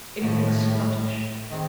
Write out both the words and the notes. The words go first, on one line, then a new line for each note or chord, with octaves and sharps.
Anything sluttish?
D#2 A2 C#3 F3
D#3 G#3 C4